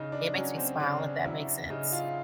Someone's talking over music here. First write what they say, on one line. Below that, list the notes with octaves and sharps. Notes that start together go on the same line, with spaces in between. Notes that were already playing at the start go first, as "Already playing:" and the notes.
It makes me smile, if that makes sense.
Already playing: C#3 D#4
D4
F#3 C#4
C4
C#3 D4
F#3 E4
C#3 D#4
F4